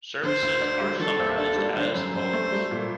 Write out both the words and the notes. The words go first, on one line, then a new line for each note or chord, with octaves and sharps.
Services are summarised as follows.
D3 C5
D2
D4
G3
D#3 A4
D#2
D4 A4
G3
D3 C5
F#2
F#2 C5
A3
G3
A#2